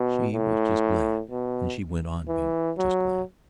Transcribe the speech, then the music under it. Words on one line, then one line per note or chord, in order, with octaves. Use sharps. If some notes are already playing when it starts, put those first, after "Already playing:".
She was just glad and she went on being just glad.
Already playing: B2
A2
B2
E3
F#3